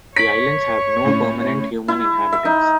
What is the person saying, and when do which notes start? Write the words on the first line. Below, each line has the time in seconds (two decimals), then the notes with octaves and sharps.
The islands have no permanent human inhabitants.
0.16 C#5 B6 D7 F#7
1.05 A2 C#4
1.88 E4
2.32 E5
2.45 D#4